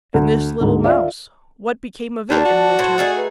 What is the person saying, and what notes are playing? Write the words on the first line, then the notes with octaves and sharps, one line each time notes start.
And this little mouse, what became of it in winter?
D2
D2 G#2
F4 D5 E5 F5
D#2 D3 D4 A5
F#4
A2 C5
A3 D#4 G#4 D5
B4